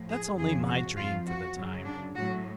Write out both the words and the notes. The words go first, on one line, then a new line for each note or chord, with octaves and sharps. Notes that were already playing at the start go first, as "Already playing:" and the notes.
That's only my dream for the time.
Already playing: A2 F3
G#4
F2 C#3 F3 G#4
F#4
F2 F3 F4
F#4
F#2 C#3 F#3
D4
A2 F#3 F#4